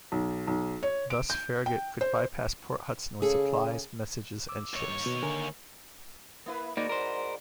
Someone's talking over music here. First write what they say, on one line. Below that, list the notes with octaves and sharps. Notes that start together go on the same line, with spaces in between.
Thus, Farragut could bypass Port Hudson with supplies, messages, and ships.
B1
B1
C#5
D7
G6
G5
C5
C#3 G#4 A4
D6 E6
D#2 C#5
G2
B2
D3 A#4 G#5
A#3 E4 B4
G#2 A#3 D#4 F#4 D5
A#4 C5